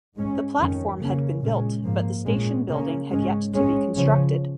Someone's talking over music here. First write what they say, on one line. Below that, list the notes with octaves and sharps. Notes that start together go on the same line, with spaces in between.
The platform had been built, but the station building had yet to be constructed.
G#2 G#3 C#4
F2 D#3 C#4
C#3 A#3 C#4
A#2 G#3 C#4
G#2 F3 A#3
A#2 G#3 C#4
C#3 A#3 C#4
G#2 G#3 C#4
G#2 G#3 C#4
C#3 F3 C#4